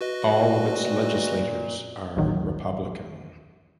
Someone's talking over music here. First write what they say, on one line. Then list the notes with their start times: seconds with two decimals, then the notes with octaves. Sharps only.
All of its legislators are Republican.
0.01 F#4 B4 D#5
0.54 A#2
2.17 A1 D#2 D#3 F#3